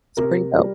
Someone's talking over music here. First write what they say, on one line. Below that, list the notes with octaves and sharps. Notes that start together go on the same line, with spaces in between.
It's pretty dope.
C3 A#4
G3